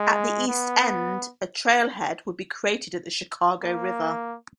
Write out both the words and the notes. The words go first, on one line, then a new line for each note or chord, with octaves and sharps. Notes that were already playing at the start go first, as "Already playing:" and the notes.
At the east end, a trailhead would be created at the Chicago River.
Already playing: G#3
B3
A#3